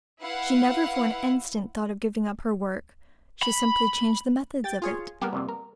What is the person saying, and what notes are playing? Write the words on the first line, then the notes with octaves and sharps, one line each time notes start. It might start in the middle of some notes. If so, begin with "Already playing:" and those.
She never for an instant thought of giving up her work; she simply changed the methods of it.
E4 B4 F5 F#5
B5
G4 G5 A6
F4 G#4 C#5
G3 A#3 B3 G4 A#4
C2 F2 C3
A#4